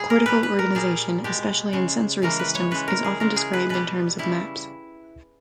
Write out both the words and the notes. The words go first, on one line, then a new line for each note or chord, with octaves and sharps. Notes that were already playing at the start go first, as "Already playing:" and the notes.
Cortical organization, especially in sensory systems, is often described in terms of maps.
Already playing: B2 G3 G#4
A#4
A#2 G3 B4
B4
A#4
A#2 G3 G#4
B2 G#3 G4
C#3 G#3
C#3 E3 G#3 A#4
B4
C#5
C#3 G#3 B4
A#4
G#4
C#3 G#3 A#4
G#4
B4
B2 G3 B4
C#3 G3 E4